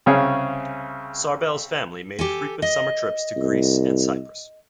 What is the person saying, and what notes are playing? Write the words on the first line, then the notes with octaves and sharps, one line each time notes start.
Sarbel's family made frequent summer trips to Greece and Cyprus.
C2 C#3 G#4 C#5 F5
G4 A4 G#5
D#5
C2